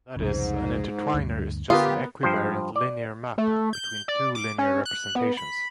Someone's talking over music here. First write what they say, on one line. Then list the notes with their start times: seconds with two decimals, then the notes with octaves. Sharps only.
That is, an intertwiner is just an equivariant linear map between two linear representations.
0.17 C2 F2 G#2 C#3
1.14 D2 G2
1.70 D3 B3 F4 G4 A#4 D#6
2.23 G2 F3 C5
2.76 D5
3.38 A3
3.73 G6
4.08 D5
4.35 D6
4.58 C#4
4.85 F#6
5.15 B3
5.37 B5